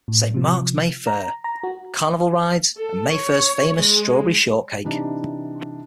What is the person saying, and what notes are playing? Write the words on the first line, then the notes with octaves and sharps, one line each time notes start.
Saint Mark's May Fair: carnival rides and May Fair's famous strawberry shortcake.
A2
C3 F3
A#5
A#5
F#4
A4
C#5
G#3
C3 E3 D4 D#4